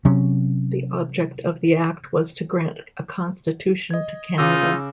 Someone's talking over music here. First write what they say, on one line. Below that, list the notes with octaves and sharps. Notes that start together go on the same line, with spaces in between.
The object of the Act was to grant a Constitution to Canada.
C3 F#3 C#4
D#5 G#6
C#3 D#4 F4 D6 E6